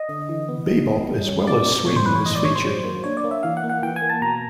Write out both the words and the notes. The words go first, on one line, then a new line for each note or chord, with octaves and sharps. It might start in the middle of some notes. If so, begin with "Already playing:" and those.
Bebop as well as swing was featured.
Already playing: D#5
D3
E3
B3
E3
B3
G3
C#4
C#4 D5
B2
A2 C#5
C5
E3 B4
C#5
A2 D#5
D5
A2 C#5
C5
F#3
A#3
D4 C#5
D5
A#3
E5
E3 F5
F#5
A#3
F#5
E3 G5
G#5
A#3
A5
B2 A#5